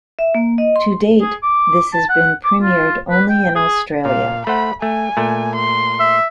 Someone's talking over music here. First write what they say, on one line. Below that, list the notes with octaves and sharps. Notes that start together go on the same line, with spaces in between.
To date, this has been premiered only in Australia.
E5
A#3
D#5
C6
G#4
D6
A5
F#5
D6
F4
B4
G5
G#4
A#2 F5
A3 C5 F#5 B5
A3 G#5
A#2 A3
C6
E5